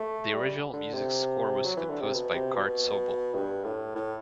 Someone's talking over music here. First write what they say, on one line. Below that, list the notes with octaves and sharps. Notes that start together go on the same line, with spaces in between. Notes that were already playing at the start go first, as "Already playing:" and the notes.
The original music score was composed by Curt Sobel.
Already playing: A3
G3
D3
C3
F#3
E3
D3
C3
B2
C3
B2
G2
A2
A2